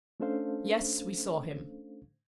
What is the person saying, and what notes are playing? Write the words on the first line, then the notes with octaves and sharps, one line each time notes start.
Yes, we saw him.
A3 C#4 D4 A4 C5 F5